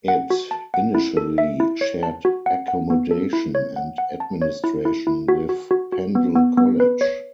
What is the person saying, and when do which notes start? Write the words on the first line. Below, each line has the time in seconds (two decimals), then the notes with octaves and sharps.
It initially shared accommodation and administration with Pendle College.
0.08 F#5
0.30 F#4
0.51 A5
0.74 F#5
0.95 E4
1.17 A4
1.38 E5
1.60 E4
1.81 C#5
2.03 A5
2.25 F#4
2.46 F#5
2.68 F#5
2.90 B3
3.11 A4
3.33 E4
3.55 C#5
3.76 F#5
3.98 F#5
4.20 A5
4.42 C#5
4.64 E4
4.85 E4
5.07 E4
5.28 F#4
5.49 F#4
5.71 F#4
5.92 F#4
6.15 B3
6.36 B3
6.58 B3
6.80 B4
7.01 C#5